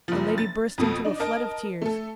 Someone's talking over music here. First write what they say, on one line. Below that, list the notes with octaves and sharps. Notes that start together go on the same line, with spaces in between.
The lady burst into a flood of tears.
F#1 F3
A6
F2 B2 A4
D4 D#4
A#4 D#5 A5 D7
A3 A4